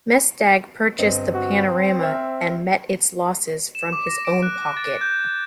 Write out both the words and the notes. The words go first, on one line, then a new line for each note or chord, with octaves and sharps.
Mesdag purchased the panorama and met its losses from his own pocket.
G1 C4 D#5
F#4
C4
C5 E5 F6
E7
D6
A#6
D7
F#6
A6
G6